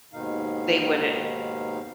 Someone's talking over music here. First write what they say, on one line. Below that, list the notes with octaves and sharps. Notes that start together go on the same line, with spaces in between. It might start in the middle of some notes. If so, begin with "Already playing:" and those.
they would i
D#2 G#2 B2 D#3 D#4 F5